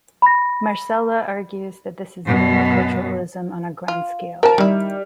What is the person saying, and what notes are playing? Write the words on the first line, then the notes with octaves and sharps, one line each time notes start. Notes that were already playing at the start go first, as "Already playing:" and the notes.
Marsella argues that this is monoculturalism on a grand scale.
B5 A#6
F#2 B2
F4
F3 A#4 A5
D#3 G3 E4